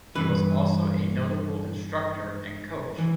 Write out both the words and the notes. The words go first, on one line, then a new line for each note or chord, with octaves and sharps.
He was also a notable instructor and coach.
G2 E3 B4
E3